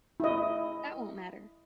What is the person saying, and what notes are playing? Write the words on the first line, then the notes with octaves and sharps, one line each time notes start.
That won't matter.
E4 D#5